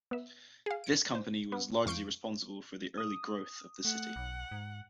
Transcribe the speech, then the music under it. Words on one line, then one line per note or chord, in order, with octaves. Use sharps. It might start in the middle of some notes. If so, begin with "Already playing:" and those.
This company was largely responsible for the early growth of the city.
B3 E5
G#4 F5
C#7 D7
C5
B3
F2 F5 C#6 G6 C7 D7
D#6
A3 F#5
B1
G#2